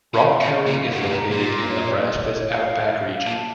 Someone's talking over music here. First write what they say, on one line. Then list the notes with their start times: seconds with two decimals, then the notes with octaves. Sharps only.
Rock County is located in Nebraska's Outback region.
0.14 C#3 F5
0.34 C#5
0.41 C3
0.53 D#5
0.66 A#2
0.73 F5
0.92 A2 F#5
1.01 A#2
1.09 A2
1.12 A#5
1.31 A#2 C6
1.70 C#5
1.97 D#5
2.22 C#5
2.49 F5
2.87 F5
3.26 A#2 A5